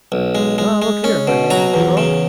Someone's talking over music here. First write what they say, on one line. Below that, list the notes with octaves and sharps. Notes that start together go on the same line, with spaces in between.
Now, look here, my manly hero.
B1
G#3
G#3
G#3
C#4
B2
F#3 A#5
E2
C#3